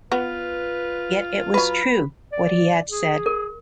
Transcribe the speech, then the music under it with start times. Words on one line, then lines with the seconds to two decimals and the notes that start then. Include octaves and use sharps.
Yet it was true, what he had said.
0.12 B3 F4 B4
1.54 F#3 B4 B5
2.32 D5
2.91 G#4
3.26 A#4